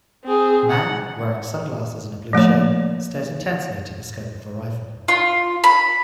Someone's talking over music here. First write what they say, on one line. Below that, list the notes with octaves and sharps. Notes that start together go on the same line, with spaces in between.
Man, wearing sunglasses and a blue shirt, stares intensely into the scope of a rifle.
C4 G#4
F#5
F3 A3 A#3 C#5
F4
B5